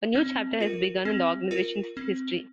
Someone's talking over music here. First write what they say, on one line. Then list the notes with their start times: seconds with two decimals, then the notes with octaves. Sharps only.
A new chapter has begun in the organization's history.
0.15 C4
0.60 F4 A#4
1.05 C4
1.51 F4 A#4
1.97 C4